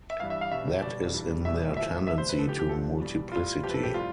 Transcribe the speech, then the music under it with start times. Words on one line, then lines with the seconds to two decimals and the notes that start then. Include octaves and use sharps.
That is in their tendency to multiplicity.
0.10 E5
0.20 G2 E3 G3 F5
0.30 E5
0.41 F5
0.51 B2 G3 E5
0.82 B2 G3 D5
1.14 G2 E3 G3
1.45 E2 B2 G3 E5
1.76 A2 F3 E5
2.07 B2 G3 E5
2.18 C5
2.29 B4
2.38 E2 D3 F3 A4
2.49 G4
2.59 G4
2.69 G2 F3 A4
3.02 E2 B2 G3
3.32 A2 G3 F4
3.63 F2 C3 F3 G4
3.69 B4
3.74 A4
3.83 G4
3.94 A2 G3 F4